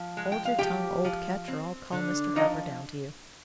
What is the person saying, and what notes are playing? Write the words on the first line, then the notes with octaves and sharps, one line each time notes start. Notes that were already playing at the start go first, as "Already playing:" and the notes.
Hold your tongue, old Ketch, or I'll call Mr. Harper down to you.
Already playing: F3
G#3
G5
F5
F3 G4 G5
F3
C4
D3
F3 D#4 D#5